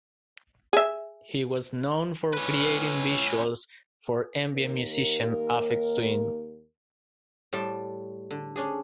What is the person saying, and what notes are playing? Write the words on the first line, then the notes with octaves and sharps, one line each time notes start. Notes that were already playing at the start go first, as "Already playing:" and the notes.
He was known for creating visuals for ambient musician Aphex Twin.
G#4 E5
C#4 B4
D#2 A#3 A#4
A2 G3 A5 C6
D3
C#4 D4 G#4